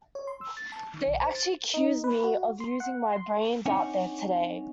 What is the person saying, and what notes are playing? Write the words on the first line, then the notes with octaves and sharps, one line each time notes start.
They actually accused me of using my brains out there today.
C#5
C6
E6
A6
A5
D#3
B1
C5
A6
D#4
B4
F#4
C6
F#5
C6
C4 D4 D#4 C#5 F#5 G#5